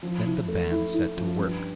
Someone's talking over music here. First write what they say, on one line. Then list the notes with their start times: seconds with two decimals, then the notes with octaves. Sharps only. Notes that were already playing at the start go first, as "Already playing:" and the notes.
Then the band set to work.
0.03 F3
0.26 E4
0.48 A3
0.71 E4
0.94 E4
1.17 F3
1.39 G2